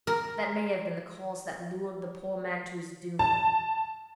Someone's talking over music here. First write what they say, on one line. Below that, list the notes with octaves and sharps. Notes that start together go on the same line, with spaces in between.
That may have been the cause that lured the poor man to his doom.
A#4
A5